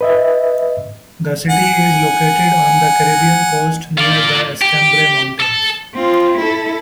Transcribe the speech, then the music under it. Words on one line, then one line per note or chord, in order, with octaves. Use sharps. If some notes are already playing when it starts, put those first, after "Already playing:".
The city is located on the Caribbean coast near the Escambray Mountains.
B4 D#5 E5
F#5 G#5
F4 D5
G4
A4 A5
C4 F4
E4 A4